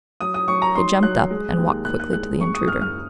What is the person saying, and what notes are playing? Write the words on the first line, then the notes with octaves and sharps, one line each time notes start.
He jumped up and walked quickly to the intruder.
F#3 D#6
D#6
F#3 C#6
A#5
D#4 C6
F#3 F#6
G#3
D#2
D#2 F#6
F#6
G#3 F#6
G#3 C#6
D#6
F#1 F6
F6